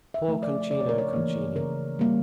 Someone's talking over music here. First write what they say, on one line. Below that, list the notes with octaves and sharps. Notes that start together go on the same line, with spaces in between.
Poor Concino Concini!
E5
F3 A3
D5
C#3 D5
C#5
A#4
C#5
E3 A#3
C#3 A#4
G3 A#3